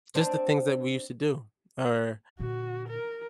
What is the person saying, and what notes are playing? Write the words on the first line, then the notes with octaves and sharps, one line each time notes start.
just the things that we used to do, or,
C4 D4
A#2 D3 F#4
A#4